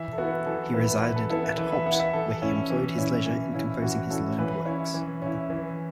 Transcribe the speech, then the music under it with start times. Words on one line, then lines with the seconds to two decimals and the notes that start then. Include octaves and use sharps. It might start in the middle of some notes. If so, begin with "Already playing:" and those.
He resided at Holt, where he employed his leisure in composing his learned works.
Already playing: E3 E5
0.13 A4
0.18 B3 E4 F#4
0.46 E3 A4
0.74 B3 E4 B4
1.02 E3 B4
1.16 A4
1.30 B3 E4 A4
1.44 B4
1.58 E3 B4
1.72 E5
1.86 B3 E4 F#5
2.00 E5
2.14 E3 A4
2.42 C#4 E4
2.70 E3
2.98 C#4 E4
3.26 E3
3.54 C#4 E4
3.82 E3 F#4
4.10 C#4 E4 A4
4.38 E3 B4
4.66 C#4 E4 C#5
4.94 E3
5.22 C#4 E4
5.50 E3